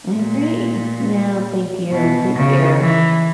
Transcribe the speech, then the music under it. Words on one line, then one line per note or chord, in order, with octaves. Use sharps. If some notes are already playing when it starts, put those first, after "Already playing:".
I agree. Yeah, thank you. Take care.
A#2
B2
C#3
E3